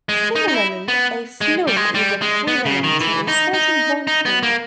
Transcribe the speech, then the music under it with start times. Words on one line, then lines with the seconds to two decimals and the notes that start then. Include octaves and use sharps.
Similarly a floor is equivalent to a certain bond call.
0.09 G#3
0.35 D#4
0.48 D#4
0.54 E4
0.88 B3
1.41 G#3
1.67 G3
1.76 G#3
1.94 G3
2.22 G#3
2.48 B3
2.66 C#3
2.84 D#3
3.01 E3
3.28 D#4
3.54 D#4
4.07 D#4
4.25 B3
4.43 A#3